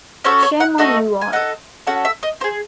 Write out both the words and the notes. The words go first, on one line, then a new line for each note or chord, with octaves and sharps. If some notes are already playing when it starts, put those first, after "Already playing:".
Shame on you all.
C#4 F#4 A4 C5
C#5
F#5
A3 D#4 F#4 A4 D#5
G#5
D#4 A4 F#5
C#4 F#4 A4 F#5
E5
D#5
D#4 C5
G#4